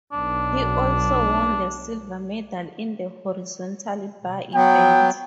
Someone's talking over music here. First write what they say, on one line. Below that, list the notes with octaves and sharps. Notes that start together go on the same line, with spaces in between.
He also won the silver medal in the horizontal bar event.
B1 D4
F#3 B3 G5